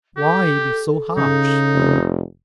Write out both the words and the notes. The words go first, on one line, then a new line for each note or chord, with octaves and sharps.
Why be so harsh?
G4 A4
C#3 D#4
F1